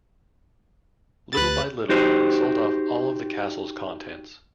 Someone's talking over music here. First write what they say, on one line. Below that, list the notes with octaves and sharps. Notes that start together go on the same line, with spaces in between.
Little by little, he sold off all of the castle's contents.
D2 G4 B4 B5 F#6 A6
D#4 F#4 G4 C5